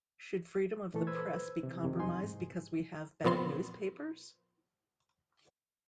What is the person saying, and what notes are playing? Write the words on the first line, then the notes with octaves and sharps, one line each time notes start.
Should freedom of the press be compromised because we have bad newspapers?
A#2 E3 A3 A4
B4 C5 E6 G#6
C3 E3
F2 C3 D#3
E2 F#3 D#4 G#5 C6
G#2
A#2 F3 B3 C4 C6